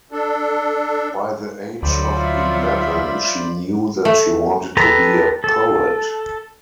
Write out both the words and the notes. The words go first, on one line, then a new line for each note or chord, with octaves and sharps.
By the age of eleven, she knew that she wanted to be a poet.
D4 A4
D2 F#3 C5 D5 B5
F4 E5
A3
G4 A4 B4 A#5
A4